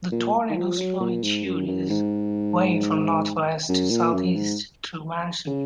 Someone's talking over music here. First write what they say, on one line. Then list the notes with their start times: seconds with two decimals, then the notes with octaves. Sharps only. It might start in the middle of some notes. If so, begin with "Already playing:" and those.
The tornado slowly chewed its way from northwest to southeast through Manson.
0.12 A#2
0.50 D#3
0.56 F3
0.78 F#3
1.00 A#2
1.23 G#2
1.44 F#2
1.67 F#2
1.90 G#2
3.69 F#2
3.90 A#2
4.13 F#2
4.35 G#2
5.47 C#3